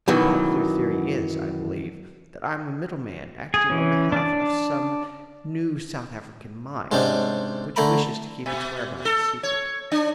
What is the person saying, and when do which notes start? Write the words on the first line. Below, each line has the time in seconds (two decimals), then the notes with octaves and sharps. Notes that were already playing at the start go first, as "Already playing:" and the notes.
The popular theory is, I believe, that I am a middleman acting on behalf of some new South African mine, which wishes to keep its whereabouts a secret.
0.08 F#2 B2 D#3 E3 F#3
3.54 G#4
3.70 E3 C#4
4.12 D4 D5
6.91 G#2 C3 G#3 C#4 D4
7.76 D3 A3 A#5 B5
8.46 B2
9.05 A4
9.43 C#5
9.92 D4